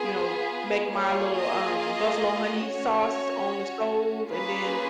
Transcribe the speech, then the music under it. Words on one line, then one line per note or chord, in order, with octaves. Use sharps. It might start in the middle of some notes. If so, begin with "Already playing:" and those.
you know, make my little, um, buffalo honey sauce on the stove, and then,
Already playing: B3 F4 G#4
B4
A#3 F4 G#4 C#5
D#5
D#5
C#4 F#4 C#5
A#3 C#4 F4 G#4 B4